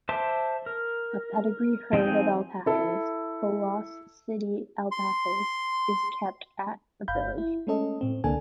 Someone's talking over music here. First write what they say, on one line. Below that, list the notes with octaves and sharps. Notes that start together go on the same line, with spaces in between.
A pedigree herd of alpacas, the "Lost City Alpacas", is kept at the village.
C5 E5 A5 C6 D6
A#4
F3 C4 D#4 G#4 G5
E4 A4
C6
G1 F5 B5 G6
E4
G#3 A3 C#4 A4 D#5
A2 C4
C#2 D3 A#3 D4 A4 G#5